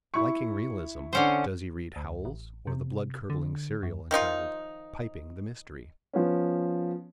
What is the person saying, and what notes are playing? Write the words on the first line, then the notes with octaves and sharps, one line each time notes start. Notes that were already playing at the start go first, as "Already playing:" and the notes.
Liking realism, does he read Howells or the blood-curdling serial entitled "Piping the Mystery"?
E4 C#6
D3 C#4 C5
D2
A1
C3
D3
F#2
D#3 F3 D#4 F4
F3 B3 C#4